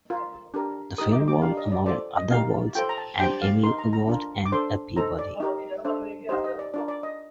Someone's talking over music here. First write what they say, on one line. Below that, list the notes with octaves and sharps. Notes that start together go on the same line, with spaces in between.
The film won, among other awards, an Emmy Award and a Peabody.
F4 A#4
D4 G4 A#4
D#4 G4 A#4 D#6
D6
D6
D4 G4 A#4 F5
D#5
D5
F4 A4 C5 D5
D#5
D#4 G4 A#4 F5
F4 A4 C5 G5
A#5
A5
D4 G4 C5 G5
F5
D#4 A#4 C6
A#5
A#5
D4 F4 A#4
D6
D4 A4 C5 C6
D#4 A4 C5 A#5
D5
D#4 G4 A#4
D4 A4 C5
D#4 G4 C5 D#5
D#5
D5
D4 F4 A#4 D5
D5
D#5